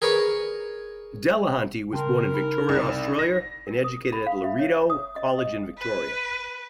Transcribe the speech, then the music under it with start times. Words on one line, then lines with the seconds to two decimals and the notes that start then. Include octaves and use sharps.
Delahunty was born in Victoria, Australia and educated at Loreto College, in Victoria.
0.02 G#4 A#4 B4 C#5
1.93 C#3 A#4 G5 A5 C6
2.34 D#4 B5
2.69 C2
3.19 A#6
3.67 A#4
3.84 D#6
4.13 B5
4.26 F5
4.44 E5
4.59 C#5
4.90 D#6
5.16 D#5
5.39 D#5
5.78 B4